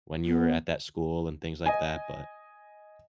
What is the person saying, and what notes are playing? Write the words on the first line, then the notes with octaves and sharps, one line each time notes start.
when you were at that school and things like that, but
B3
D#5 G#5